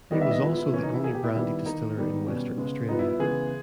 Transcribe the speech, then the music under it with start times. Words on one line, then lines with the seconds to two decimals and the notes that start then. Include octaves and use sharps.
He was also the only brandy distiller in Western Australia.
0.11 D#3 G3 B3 D#5
0.21 E5
0.31 D#5
0.42 A#2 G#3 B3 E4
0.57 E4
0.73 C#3 E3 A#3 C#4
0.83 D#4
0.94 E4
1.04 B2 A#3 G#4
1.15 G4
1.24 E4
1.35 D#3 G3 B3
1.66 D#3 A#3 D#4
1.96 D#3 G3 B3
2.27 B2 G3 B3 C#4
2.58 C#3 G#3 B3
2.88 A#2 G3 B3 D#4
2.99 E4
3.09 E4
3.19 C#3 E3 G#3 B3 G#4